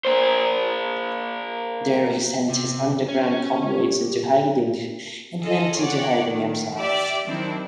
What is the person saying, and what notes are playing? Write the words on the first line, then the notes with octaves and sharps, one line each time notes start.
There he sent his underground comrades into hiding and went into hiding himself.
A#3 C5
C3
C#4
G4
F4 G#4 A4 D#5
C#5 D5 F#5
D#3
G4 D5 E5 G5
D#3 F#3 C4 D4 E4